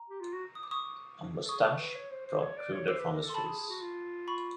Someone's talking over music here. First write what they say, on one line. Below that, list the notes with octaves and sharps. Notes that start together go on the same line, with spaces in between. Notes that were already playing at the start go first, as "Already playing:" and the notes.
'A mustache protruded from his face.
Already playing: A#5
G4
F4
F#4
D#6
D6
C#6 D#6
A4
G#4 C#6 D#6
A4
B4
C#5
C5
C5
C#5
D5
C#5
C5 D6 E6
B4
A#4
A4
C6
A4 A5 B5
G#4
G#4
F#4
F4
B5 C#6